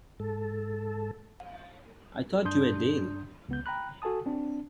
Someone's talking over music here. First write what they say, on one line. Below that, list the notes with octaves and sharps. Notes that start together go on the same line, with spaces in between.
I thought you were Dale!
G#2 A4
G2 D4 C6 D#6 G6
C#2 B3 G6
G5 A#5 B5 F#6
F#4 A4 G#5 A5 D#6
C4 D4